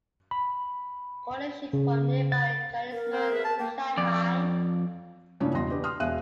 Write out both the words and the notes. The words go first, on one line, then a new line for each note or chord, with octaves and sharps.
Coal is shipped from nearby Chinese mines to Shanghai.
B5
C#3
A6
A#4
C4 C5
G#4 B4 E5
A5
A#3 G5
F2 D5
G2 A#2 C#3 E3 C#4 D4
B1 E2 D#5 C6 A#6
D4 G4 B4
C6 D#6 F6
E1 E5 F5 G#5 F#6 D#7